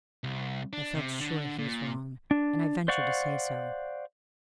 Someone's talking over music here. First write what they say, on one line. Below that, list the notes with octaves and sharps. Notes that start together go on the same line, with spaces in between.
I felt sure he was wrong, and I ventured to say so.
C2
D4
C3
D3
A#2
D4
C5 D5 F5 F#5 C#6